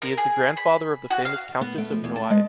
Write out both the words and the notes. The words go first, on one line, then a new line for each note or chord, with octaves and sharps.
He is the grand father of the famous Countess of Noailles.
A#4
G#4
B5
F#4
F5
B3
A3
F3
E2
A5
G#3